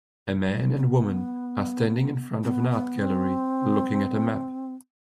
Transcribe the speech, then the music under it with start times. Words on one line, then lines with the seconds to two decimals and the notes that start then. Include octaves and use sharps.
A man and woman are standing in front of an art gallery, looking at a map.
0.77 C4
0.80 B3
2.43 C4
2.47 B3
2.71 B3
2.99 C4